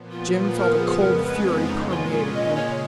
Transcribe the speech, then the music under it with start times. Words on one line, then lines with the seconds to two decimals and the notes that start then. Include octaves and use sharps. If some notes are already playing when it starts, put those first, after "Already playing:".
Jim felt a cold fury permeating him.
Already playing: A#2 F3 B3
0.11 F4
0.33 F4
0.56 A#4
0.77 F2 C#3 G#3 B3 G#4
0.99 A#4
1.22 B4
1.66 A#2 G#3 C#4 D#4
1.89 F4
2.11 F4
2.34 D#5
2.55 C#3 G#3 C#5